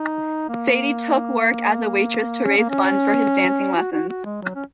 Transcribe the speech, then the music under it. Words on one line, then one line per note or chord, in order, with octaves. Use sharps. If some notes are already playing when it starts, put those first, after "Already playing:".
Sadie took work as a waitress to raise funds for his dancing lessons.
Already playing: D#4
A#3
C#4
A#3
C#4
F#4
F#4
F#4
G#3
F#3
C#4